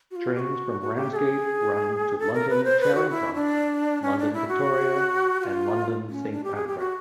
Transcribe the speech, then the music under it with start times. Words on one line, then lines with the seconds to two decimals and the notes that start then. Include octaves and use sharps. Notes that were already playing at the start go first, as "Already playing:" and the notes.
Trains from Ramsgate run to London Charing Cross, London Victoria and London Saint Pancras.
0.11 F#4
0.16 F4
0.35 G4
0.39 F#4
0.81 F#4
0.95 G4
1.12 A4
1.16 G#4
2.19 A4
2.34 A#4
2.49 B4
2.64 C5
2.80 B4
2.95 F#4
3.10 E4
3.34 D4
4.02 C#4
4.18 D4
4.33 E4
4.48 F#4
5.40 F#4
5.44 F4
6.10 C#4
6.32 D4
6.44 G4
6.55 G#4
6.67 G4
6.78 F#4